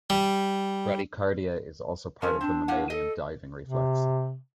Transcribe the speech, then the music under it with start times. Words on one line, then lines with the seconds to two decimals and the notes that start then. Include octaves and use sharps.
Bradycardia is also part of the mammalian diving reflex.
0.10 G3
2.22 F3 C#4 A#4
2.41 C4 D4
2.68 A2 A#3 F#5
2.90 A4 D#5
3.64 C3